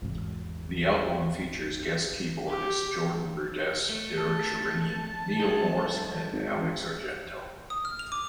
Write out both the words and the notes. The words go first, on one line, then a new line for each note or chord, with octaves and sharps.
The album features guest keyboardists Jordan Rudess, Derek Sherinian, Neal Morse, and Alex Argento.
G#1 E2
G4
A3
A5
F#3 G#3 D#4 G#4
D2
G#1
D#6
F6
F7
D6